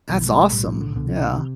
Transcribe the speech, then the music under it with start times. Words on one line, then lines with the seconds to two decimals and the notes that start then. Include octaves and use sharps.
That's awesome, yeah.
0.10 B1 B2 E3
0.21 E3
0.26 A3
0.31 G3
0.42 A3
0.53 B1 A2 G3
0.67 F3
0.81 D3
0.95 C2 B2 D3
1.38 C3